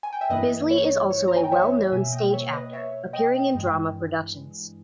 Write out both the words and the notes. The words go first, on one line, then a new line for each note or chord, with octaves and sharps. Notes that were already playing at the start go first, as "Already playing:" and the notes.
Bisley is also a well-known stage actor, appearing in Drama productions.
G#5
G5
E5
G2 E3 A#3 B4 D#5
C#5
C#5
A#5
G#5
G5
C#5 E5
B2 A#3 E5 G#5
D#5 G5
C#5 E5
B4 D#5
C#5 E5
D#5 G5
G2 E3 G#3